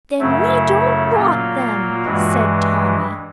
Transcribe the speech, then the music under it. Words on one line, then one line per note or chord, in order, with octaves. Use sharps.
"Then we don't want them," said Tommy.
F#2 C#3 F#3 A3 E4
A#2 F#3 A#3 F4
G2 E3 G#3 F#4